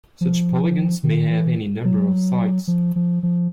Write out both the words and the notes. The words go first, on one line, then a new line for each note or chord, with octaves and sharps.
Such polygons may have any number of sides.
F3
D#3
E3
F#3
F3
F3
F3